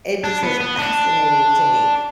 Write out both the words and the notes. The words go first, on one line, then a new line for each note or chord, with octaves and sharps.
it just was fascinating to me.
D4
B3
B3
D4